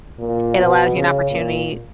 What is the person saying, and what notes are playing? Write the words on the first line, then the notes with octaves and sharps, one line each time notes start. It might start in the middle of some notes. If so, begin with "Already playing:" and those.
it allows you an opportunity
A#2
B2
C#3
A#2